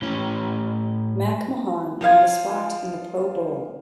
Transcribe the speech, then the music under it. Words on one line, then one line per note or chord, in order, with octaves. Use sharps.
McMahon earned a spot in the Pro Bowl.
A2 C#4
F3 F4 F5 G#6